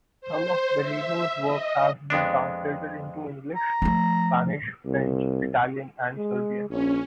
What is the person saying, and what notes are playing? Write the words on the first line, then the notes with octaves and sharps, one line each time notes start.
Some of Barreiros's work has been translated into English, Spanish, French, Italian and Serbian.
C5
E5
D#5
F2 G#3 B3 D4
A#5
F3 A3
C2
G#3
A#1 C#4